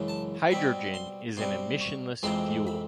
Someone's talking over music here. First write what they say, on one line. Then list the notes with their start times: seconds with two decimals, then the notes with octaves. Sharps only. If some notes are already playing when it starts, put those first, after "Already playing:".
Hydrogen is an emissionless fuel.
Already playing: F#2 C#3 E3 G#3
0.08 A5
0.51 B2 G3 C4 B5
0.94 C6
1.37 B2 G3 C4 C6
1.81 C#6
2.23 F2 C3 E3 G#3 C4 C6
2.67 B5